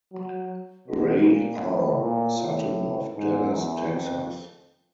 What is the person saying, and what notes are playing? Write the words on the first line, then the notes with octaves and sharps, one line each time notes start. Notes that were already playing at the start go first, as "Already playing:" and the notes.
Ray R. Sutton of Dallas, Texas.
F#3
B2
A#2
A2
A#2
A2
G#2
E2
F2